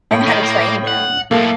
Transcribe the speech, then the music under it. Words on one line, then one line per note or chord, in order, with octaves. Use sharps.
And how to train them.
A2
D#3
A#3
F#5
B1 A2 A#3 A4